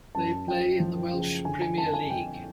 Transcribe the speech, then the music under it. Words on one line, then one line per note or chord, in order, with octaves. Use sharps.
They play in the Welsh Premier League.
F#2 A5
F#2 G5
F3
C#3
D3 G#5
G#5
F2 A5
G#5
F2 G5